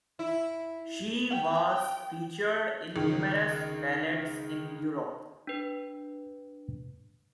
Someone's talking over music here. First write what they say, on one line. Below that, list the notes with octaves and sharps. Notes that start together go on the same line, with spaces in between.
She was featured in numerous ballets in Europe.
E4
G5
C#2 D#3
D4 B4